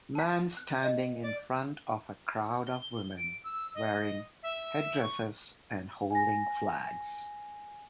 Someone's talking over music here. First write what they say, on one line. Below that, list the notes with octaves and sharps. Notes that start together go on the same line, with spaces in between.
Man standing in front of a crowd of women wearing headdresses and holding flags.
A5 B6
F#6
D#5
D5
G7
D7
E6
D#5
E5
C#6
G#5 A#6